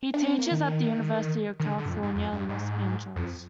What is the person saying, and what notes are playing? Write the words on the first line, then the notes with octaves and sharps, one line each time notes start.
He teaches at the University of California, Los Angeles.
D4
C4
A#3
D#3
D#3
D3
D3
G2
F2
G#2
F2
G2
G#2
F2